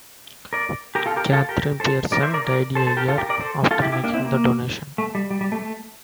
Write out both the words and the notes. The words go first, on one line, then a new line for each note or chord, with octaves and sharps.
Catherine Pearson died a year after making the donation.
A#4 D5
G4 A#4
F4 A4
G4 A#4
F4 A4
G4 A#4
A4 C5
A#4 D5
C5 E5
A#4 D5
A#4 D5
A4 C5
A4 C5
G4 A#4
F4 A4
G4 A#4
A#4 D5
A4 C5
F4 A4
E4 G4
E4 G4
A#3 D4
C4 E4
A#3
A3
G3
G3
G3
A3
A3